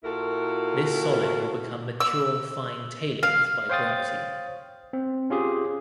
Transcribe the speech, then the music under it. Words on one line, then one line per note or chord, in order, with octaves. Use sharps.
This solid will become mature fine tailings by gravity.
A#2 E4 F#4 A4 A#4
E6
F5
C5 C#5 F5 G5 D#6 A6
C4
C#4 F4 G4 G#4